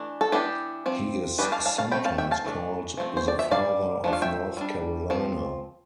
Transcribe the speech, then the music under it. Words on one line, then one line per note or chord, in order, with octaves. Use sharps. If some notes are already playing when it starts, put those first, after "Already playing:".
He is sometimes called the "father of North Carolina".
Already playing: E3 A3 D4
A4
E3 B3 D4 E4 G4
F3 C4
E3 G3 B3 D4 G4 B4
F5 A5
F5 A5
F5 A5
F3 A3 C4 G5 B5
F5 A5
E5 G5
F5 A5
E3 A3 D4
F3 A3 C4
C5
D5
E5
G3 D4 D5 F5
F3 A3 D4
F5
E5 G5
G3 D4
F3 C4